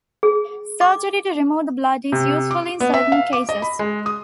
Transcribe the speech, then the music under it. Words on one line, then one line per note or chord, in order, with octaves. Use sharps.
Surgery to remove the blood is useful in certain cases.
G#4
D6
C3
D6
B3
E5
F5
D6
D#5
B5
G#3
D#6